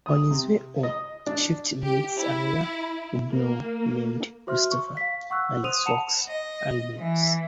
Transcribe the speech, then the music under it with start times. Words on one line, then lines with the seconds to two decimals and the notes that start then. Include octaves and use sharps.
On his way home Swift meets another gnome named Christopher and his fox Agnes.
0.06 D#6
0.30 C3
0.83 D#5
1.27 D4
1.82 G4
2.16 E4
3.31 A#3
4.47 F#4 C5 E5 C6 F6
4.71 C#6
4.97 F5 B6
5.30 F#5 C#6 E6 F#6
5.64 C5 C6 D#6 D#7 F7
5.86 F#5 A5 B5 C#7 E7 F7
6.28 D#5
6.97 E3